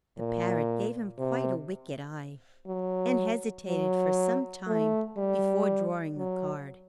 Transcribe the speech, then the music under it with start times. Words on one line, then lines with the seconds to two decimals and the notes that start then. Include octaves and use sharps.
The parrot gave him quite a wicked eye, and hesitated for some time before drawing a card.
0.18 A#2
1.18 C3
2.67 F#3
3.68 F#3
4.67 A3
5.18 G3
6.17 F#3